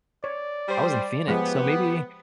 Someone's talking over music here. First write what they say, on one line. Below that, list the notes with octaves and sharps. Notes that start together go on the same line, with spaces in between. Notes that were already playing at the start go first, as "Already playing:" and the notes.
I was in Phoenix. So maybe
C#5 D5
G3 C5
F3 G#3 B3 G4